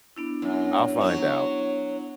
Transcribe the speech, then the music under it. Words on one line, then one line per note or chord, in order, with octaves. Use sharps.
I'll find out.
B3 D4 E4
F#2
F#3 C#5